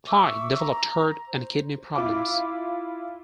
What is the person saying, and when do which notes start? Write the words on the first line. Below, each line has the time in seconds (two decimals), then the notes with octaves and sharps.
Clyde developed heart and kidney problems.
0.07 E5 C#6 D6 E6
0.58 A#5
1.26 C5
1.95 E4 F4 D6